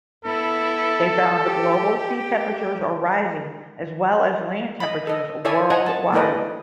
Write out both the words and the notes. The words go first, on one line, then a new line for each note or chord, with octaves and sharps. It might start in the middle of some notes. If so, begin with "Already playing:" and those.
They found the global sea temperatures are rising as well as land temperatures worldwide.
B3 E4 A4
G4
D#5 B5
A4 D#5
E4 A4 C#5 D5 E5 G#5
D#5 F#5 G#5 A#5
A5
A3 A#3 E4 B4 D5 D#5